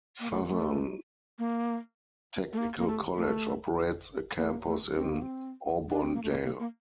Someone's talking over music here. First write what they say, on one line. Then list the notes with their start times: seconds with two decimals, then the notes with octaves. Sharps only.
Southern Technical College operates a campus in Auburndale.
0.20 A#3
0.30 A3
0.50 A3
1.39 A#3
2.53 A3
2.57 A#3
2.78 A#3
2.87 A3
3.17 A3
4.36 A#3
4.44 A3
4.51 A#3
4.66 A3
4.96 C4
5.09 A#3
5.22 C4
5.89 D4
6.02 C4
6.15 A#3
6.23 A3
6.30 A#3
6.45 A#3
6.59 A#3